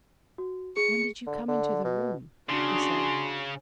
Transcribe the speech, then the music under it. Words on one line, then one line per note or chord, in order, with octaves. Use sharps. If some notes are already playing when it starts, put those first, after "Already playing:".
"When did you come into the room?" he said.
F#4
G#4 C#7
D3
D3
B2
C#3 D4 F#4 C6